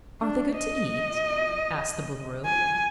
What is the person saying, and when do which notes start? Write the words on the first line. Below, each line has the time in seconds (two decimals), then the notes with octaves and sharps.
"Are they good to eat?" asked the Boolooroo.
0.21 D4
0.55 D#5
2.45 G#5